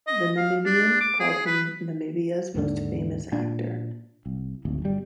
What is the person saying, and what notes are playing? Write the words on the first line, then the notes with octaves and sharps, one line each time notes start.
"The Namibian" called him "Namibia's most famous actor".
D#5
F5
D4
D6
G#4
B4
D#2 G#2 D3 D4
A#2 D4
C2
D1 G#1 D2
G1 G3